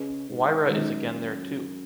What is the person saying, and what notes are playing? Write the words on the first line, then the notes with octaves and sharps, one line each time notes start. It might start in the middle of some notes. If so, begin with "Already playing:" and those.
Moira is again there too.
Already playing: C#3 C#4 G#4 B4 D#5
G#2
F#2 D#3 G#3 D#4